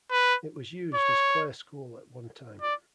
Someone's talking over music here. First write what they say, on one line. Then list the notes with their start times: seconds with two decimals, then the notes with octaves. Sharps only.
It was used as Clare School at one time.
0.11 B4
0.94 C#5
2.62 D5